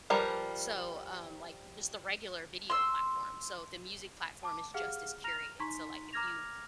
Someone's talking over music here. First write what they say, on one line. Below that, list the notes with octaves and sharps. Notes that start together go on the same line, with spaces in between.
so, um, like just the regular video platform. So, the music platform is just as curated. So, like, if you,
F3 G3 A#4 B4
C6 E6
A5 D6
G4 G#4 F5 F#5 F6
A#5 F6 A#6 F7
D#4 A#5 C6 C#6 B6
A#5 D6 F6 G#6 A#6 F7